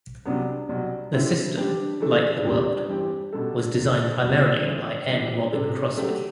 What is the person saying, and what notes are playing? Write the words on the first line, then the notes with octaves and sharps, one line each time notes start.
The system, like the world, was designed primarily by N. Robin Crossby.
C2 C3 F#3 B3 D4
C2 B2 F#3
D3 G3 C4 E4
D3 G3 D4 G4
E3 A3 D4 A4
E2 C3 G3 D4 G4
G2 E3 G3 C4 G4
B2 G3 D4 A4
E2 D3 A3
E2 B2 G3 B3
G2 E3 A3 C4 E4
A2 E3 G3 B3 D4
C3 G3 D4 A4
D3 F#3 A3 D4 G4